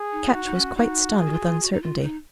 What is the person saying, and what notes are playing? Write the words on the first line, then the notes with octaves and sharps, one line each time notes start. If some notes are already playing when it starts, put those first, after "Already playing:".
Ketch was quite stunned with uncertainty.
Already playing: G#4
D#4
F4
D#4 F#4
D#4
C#4
D#4 F#4
F4 G#4
F#4
F4
F#4
F4
F#4
D#4
F4
C#4
D#4